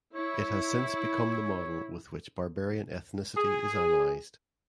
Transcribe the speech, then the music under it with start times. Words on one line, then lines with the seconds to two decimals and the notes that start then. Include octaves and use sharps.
It has since become the model with which "barbarian" ethnicity is analyzed.
0.15 E4 C#5
3.36 G#4